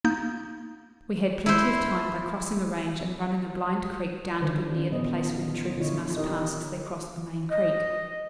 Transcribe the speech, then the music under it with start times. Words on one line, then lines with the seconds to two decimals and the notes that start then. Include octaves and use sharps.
We had plenty of time by crossing a range and running a blind creek down to be near the place where the troopers must pass as they crossed the main creek.
0.05 A#3 D#4 G6
1.46 E4 C5
4.41 D3 D#3 G3 F4 B4 C5
4.75 D#3 C#4
4.92 A#2 F3 B3 D#5
5.34 F4
5.78 D3 E4 F4 C#5 D#5
6.17 D#4 G4 A#4 D#5
7.50 D#5